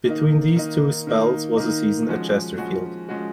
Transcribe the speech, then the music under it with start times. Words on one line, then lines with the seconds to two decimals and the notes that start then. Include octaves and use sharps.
Between these two spells was a season at Chesterfield.
0.06 D#3 A#3 D#4
0.56 D#3 A#3 D#4
1.07 D#3 A#3 D#4
1.57 D#3 A#3 D#4
2.07 F3 G#3 C#4 F#4
2.58 F3 G#3 C#4 F#4
3.09 F3 G#3 C#4 F#4